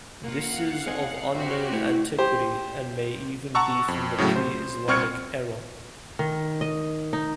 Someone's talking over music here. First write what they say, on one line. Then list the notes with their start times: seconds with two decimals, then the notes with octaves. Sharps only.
This is of unknown antiquity, and may even be from the pre-Islamic era.
0.24 A#3 F4 F5 F#5
0.87 C4 D#5 G#5
1.35 C4 F#4 G4 E5
1.72 A3 E4
2.19 G4 C5
3.55 F#5 A5 A#5 C#6 E6
3.88 F2
4.18 A2 C#3 F#3 A3
4.36 C5
4.88 C2 C4 C#6 F6 G#6 C#7
6.19 D#3
6.61 D#5
7.13 D#4